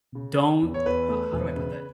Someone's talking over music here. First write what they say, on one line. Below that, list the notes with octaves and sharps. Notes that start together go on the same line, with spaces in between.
don't" how how do I put that?
C#3
C#3
E2
C#5
E2 B4
A3
E1
C#3